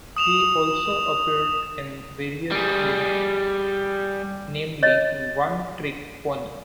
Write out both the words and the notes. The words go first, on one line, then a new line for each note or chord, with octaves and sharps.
He also appeared in various films, namely "One Trick Pony".
D#6 E7 F7
G3 G#4
C#5 D#5